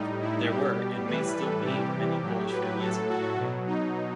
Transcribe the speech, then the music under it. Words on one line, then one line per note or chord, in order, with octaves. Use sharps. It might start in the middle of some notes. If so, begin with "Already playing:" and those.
There were, and may still be, many Polish families in the area.
Already playing: A2 G3 D#4
E4
B2 G3 G4
A2 E3 G3 B4
A4
C3 E3 G3 G4
A2 F#3
B4
A2 F#3 A4
F#4
B2 F#3
D#4